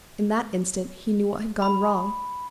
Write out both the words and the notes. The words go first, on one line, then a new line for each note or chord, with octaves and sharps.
In that instant, he knew what had gone wrong.
B5